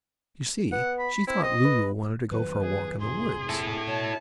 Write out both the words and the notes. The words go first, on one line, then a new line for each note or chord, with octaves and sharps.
You see she thought Lulu wanted to go for a walk in the woods.
B3 F#5
B5
C4 E4
D#5
B4
F2 D#3 F#3 B4
G#4
F2 G#2 C3 G#4 C6
E4 A4
B2 C#5 A5